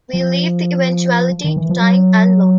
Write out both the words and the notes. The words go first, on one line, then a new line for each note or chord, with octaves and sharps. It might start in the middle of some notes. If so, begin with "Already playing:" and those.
We leave the eventuality to time and law.
F3
D#3
E3
F3
F#3